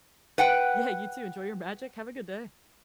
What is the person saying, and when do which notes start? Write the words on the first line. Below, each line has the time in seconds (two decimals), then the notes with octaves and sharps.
Yeah, you too, enjoy your magic, have a good day.
0.38 B4 F#5 G5